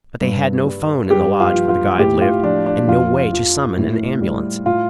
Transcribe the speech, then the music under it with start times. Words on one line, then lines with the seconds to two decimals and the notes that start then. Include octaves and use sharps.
But they had no phone in the lodge where the guide lived and no way to summon an ambulance.
0.21 G2
0.65 G3
1.10 G2 G4
1.40 F4
1.54 F3
1.69 F4
1.98 A2 G4
2.21 F4
2.43 F3 D4
2.66 D4
2.87 F2 F4
3.33 F3
3.77 A2
4.21 G3
4.66 A2 F4